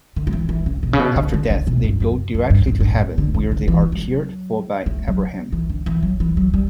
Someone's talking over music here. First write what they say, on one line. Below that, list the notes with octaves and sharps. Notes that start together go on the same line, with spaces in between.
After death they go directly to Heaven, where they are cared for by Abraham.
D3
F#3
E3
E3
C#3
B2
C#3
B2
D3
D3
C#3
B2
G2
F#2
F#2
G2
G2
G2
A2
E3
D3
C#3
D3
E3
G3
F#3
A3
F#3
E3
D3
E3
F#3
E3
F#3
G3